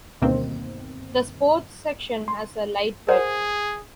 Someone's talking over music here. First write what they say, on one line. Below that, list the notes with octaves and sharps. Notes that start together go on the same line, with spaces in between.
The sports section has a light bed.
D2 G2 B2 D#3 A#3 C4
C6
G#4 A#4 C5 F#5